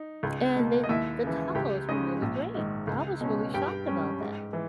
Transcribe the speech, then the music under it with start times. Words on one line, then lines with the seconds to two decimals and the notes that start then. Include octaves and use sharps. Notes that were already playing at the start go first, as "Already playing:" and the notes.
and the the tacos were really great. I was really shocked about that.
Already playing: D#4
0.23 C#2
0.56 B2 A#3
0.84 D#5
0.89 D#2 E4 E5
1.23 C#3 E3
1.55 C#2 G4 G5
1.89 C#3 G#3 C#4 D#4 D#5
2.22 A#1
2.55 G#2 D#3
2.87 C#2
3.21 B2 G#3 C#4
3.54 G2 G4 G5
3.88 G3 C#4
4.20 G#2
4.53 E3